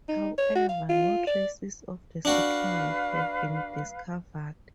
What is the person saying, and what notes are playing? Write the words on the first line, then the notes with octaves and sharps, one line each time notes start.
However, no traces of the settlement have been discovered.
D#4
C#5
F#4
F5
F4
D5
D4 F#4 B4 F5